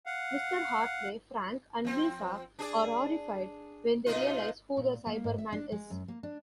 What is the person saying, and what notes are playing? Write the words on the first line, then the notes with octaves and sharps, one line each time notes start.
Mr Hartley, Frank and Nyssa are horrified when they realise who the Cyberman is.
F5 F#5
F3 C4
D4 G#4 D5
B2 D#4 F4
A#2
A#3
G#2
E5
D4
G#3
F#2
A#3
D4